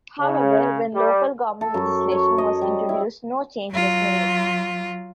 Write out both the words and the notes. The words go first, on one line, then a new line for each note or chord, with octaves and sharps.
However, when local government legislation was introduced no change was made.
C#3
G3
A4
F#2
C#5
D#5
G3
E4
F#3 F4